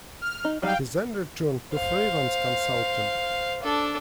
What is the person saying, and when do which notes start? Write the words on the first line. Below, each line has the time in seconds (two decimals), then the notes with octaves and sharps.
He then returned to freelance consulting.
0.21 F6
0.45 D#4
0.62 F#3 G3 D#4 F5 G5
1.74 C5 F5
3.63 D4 A4